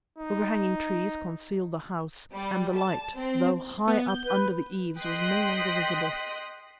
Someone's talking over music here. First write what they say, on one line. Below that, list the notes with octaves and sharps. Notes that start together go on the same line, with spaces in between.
Overhanging trees concealed the house, and the light, though high up under the eaves, was no longer visible.
D#4
G3
A5
C4
B3
G6
B4
D#5 G5 C6 D#6 F#6 B6